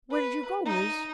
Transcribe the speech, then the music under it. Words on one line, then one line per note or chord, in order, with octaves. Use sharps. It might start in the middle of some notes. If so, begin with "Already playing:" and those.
'Where did you go, Liz?'
B4
D#4